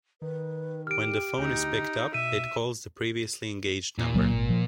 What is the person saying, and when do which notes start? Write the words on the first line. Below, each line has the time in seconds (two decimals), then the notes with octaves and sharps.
When the phone is picked up, it calls the previously engaged number.
0.22 D#3 B4
0.87 G4 F6 D7
1.38 D2 D#4
2.14 B2 E5 D#7
3.98 A#2
4.14 C#2 F#3 A#3
4.33 G#1
4.50 F3